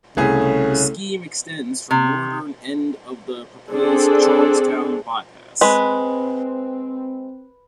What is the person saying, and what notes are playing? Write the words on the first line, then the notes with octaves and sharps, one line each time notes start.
The scheme extends from northern end of the proposed Charlestown bypass.
C2 C#3 A3 G#4
C3
C4 D4 G#4 A4
G#3 C4 B4